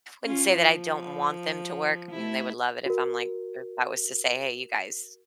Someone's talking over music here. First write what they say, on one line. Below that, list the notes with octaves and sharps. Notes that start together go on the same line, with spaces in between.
wouldn't say that I don't want them to work. I mean, they would love it if I'm like, er if I was to say, "Hey, you guys,
C#4 F4
F3
A3 E4
F#4 A#4